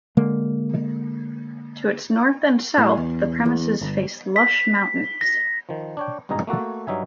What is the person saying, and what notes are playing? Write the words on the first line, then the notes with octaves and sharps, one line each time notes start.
To its north and south, the premises face lush mountains.
D3 G#3 A#3
A2
E2
E2
G1
B6
A#6
D#3 F3
D4 C#5 G5
G#1 G2 B2 D#4 G#4 A#5
A3 A#3 F#4 A4
G2 F#3 D#4 E5 G#5